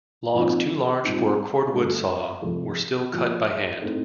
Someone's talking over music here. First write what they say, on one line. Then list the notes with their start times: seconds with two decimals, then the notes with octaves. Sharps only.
Logs too large for a cordwood saw were still cut by hand.
0.34 A#2 F3 C4 D#4
1.04 A#2 G3 C4 D#4
1.73 G2 D3 A3
2.42 F2 C3 F3 A3
3.12 A#2 F3 A#3
3.82 A2 A3 C4 D#4